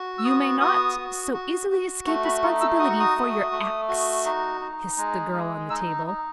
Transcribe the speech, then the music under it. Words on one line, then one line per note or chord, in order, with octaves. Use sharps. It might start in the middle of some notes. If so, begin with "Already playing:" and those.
"You may not so easily escape responsibility for your acts," hissed the girl on the table.
Already playing: F#4
E6
B3 D#6
F#4 D#6
F#4
F#4
F#4
A3 C#6
B5
D#4 C#6
E6
F#4 D#6
C#6
D#6
A3
A3
F#4
D#4
D#4
G#3
G#3
D#4 E6
D#4